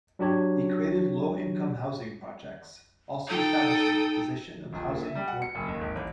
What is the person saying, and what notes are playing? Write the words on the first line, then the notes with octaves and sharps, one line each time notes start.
He created low-income housing projects, also establishing the position of housing coordinator.
F#3 D4 G4 C#5
D#4 A4 G5 D#6
D#1
A#2
E5
G3
F#5
C#7
F#1
D#2
G#1
A1